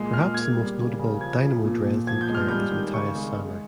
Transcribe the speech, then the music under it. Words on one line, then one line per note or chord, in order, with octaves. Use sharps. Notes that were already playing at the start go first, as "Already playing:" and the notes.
Perhaps the most notable Dynamo Dresden player is Matthias Sammer.
Already playing: A#2 G#3
A#2 F6
A#3 G#6
G3
C#3
C#3
F3 G#6
F3
A#2
A#2
F3 G#6
G6
G#3
F6
G3 G6
D#3
C#3 C#6
G#3
G#3